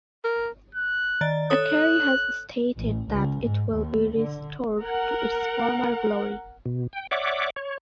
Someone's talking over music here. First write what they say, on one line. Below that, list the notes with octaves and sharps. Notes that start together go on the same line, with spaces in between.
Ackerie has stated that it will be restored to its former glory.
A#4
F#6
D#3 D5 A6
A4 C#5 D#6 F#6
A1
C#2
G#2
D#2
D3
A#4 F#5
B2
G5
C#5 D5 E5 F#5 D6
C#5